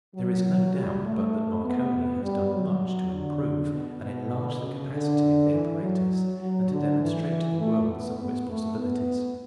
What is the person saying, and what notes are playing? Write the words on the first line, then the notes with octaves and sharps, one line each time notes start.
There is no doubt but that Marconi has done much to improve and enlarge the capacity of the apparatus and to demonstrate to the world some of its possibilities.
F#3
G3
A3
B3
G3
F#3
D3
B2
B2
C#3
D3
E3
F#3
F#3
D3
E3
A3
B3
B3
A3
B3